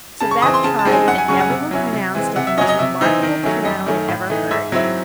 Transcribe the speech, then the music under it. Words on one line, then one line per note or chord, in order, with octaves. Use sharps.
So Beth tried it, and everyone pronounced it the most remarkable piano ever heard.
C#3 A5
C#6
E3 C4 D#6
C6
C#3 A5
A5
G#3 C4 D#4
G#5
F#2 F#5
G#5
C#3 F#3 C#4 C#6
F#5
C3
F#3 C#4 E4
C3
E3 G#3 C4
C3 F#5
E5
F#3 C#4 D#5
D#5
C3 E5
E3 C4 D#4
D#3
F#3 A3 C#4
F#2 D#5
D#3 A3 C#4
A2
E3 A3 D#4
G#2 E5
F#3 C4 E4